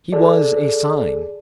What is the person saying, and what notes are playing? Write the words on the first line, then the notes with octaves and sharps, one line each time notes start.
He was a Sign.
G#4 A4 D5